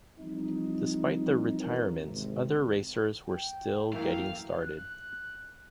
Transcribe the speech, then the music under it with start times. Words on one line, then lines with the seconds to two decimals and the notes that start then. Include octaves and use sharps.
Despite the retirements, other racers were still getting started.
0.20 E3 F3 G3 C4 D#4
1.60 E3 C4 A#4 C#5
2.04 G#1 C3
3.27 G5
3.93 F#2 E3 A3 A#3 E4 A#4 F5 G5
4.61 F#6